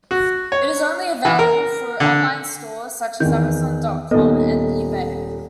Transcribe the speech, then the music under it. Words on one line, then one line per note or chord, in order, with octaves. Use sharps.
It is only available through online stores such as Amazon dot com and eBay.
F#4
C#5
E3
A#4
D3
E2 D#3 G6
D#1 A#2 B3 D#4 A4 D#5